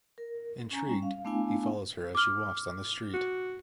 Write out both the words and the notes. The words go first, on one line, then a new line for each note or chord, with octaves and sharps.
Intrigued, he follows her as she walks down the street.
A#4
C#4 G#5 A#5
G3 C#4
F5
A3 B3 D4 E4 F5 G#5
D6 F6
F#4